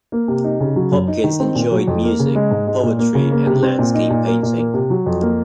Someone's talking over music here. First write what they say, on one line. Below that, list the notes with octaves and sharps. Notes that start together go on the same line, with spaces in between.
Hopkins enjoyed music, poetry and landscape painting.
A#3
C3
D#4
C#3
F#3
F#2
D#4
D#3
C4
A#2
F#3
F2
A#3
C#3
G#3
G#2
G#3
A#2
A#3
C#3
A#3
C3
C4
A#2
D#4
A#2
A#3
A#2
A#3
C3
F#3
F2
A#3